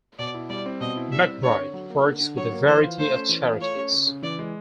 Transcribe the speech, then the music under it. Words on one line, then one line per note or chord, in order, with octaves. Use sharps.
McBride works with a variety of charities.
B2 D5
E4
G3 D5
C4
B2 D#5
E4
G3 E5
C4
D3 C#5
D3
F#3
A#3
D3
D3
F#3 C#5
A#3
E3 C5
F4
A3 C5
C#4
E3
F4
A3 C#5
C#4
C#3
C#3
E3 D5
G#3